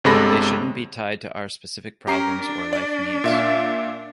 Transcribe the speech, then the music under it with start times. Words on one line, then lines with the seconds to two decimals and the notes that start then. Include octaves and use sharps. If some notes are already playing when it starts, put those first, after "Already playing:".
They shouldn't be tied to our specific problems or life needs.
0.04 G1 C3 G#3 A4 B5 A#6
2.07 C#4 G4 A#4 A#5 C7
2.40 D4
2.73 D5
3.24 A#2 E5 F5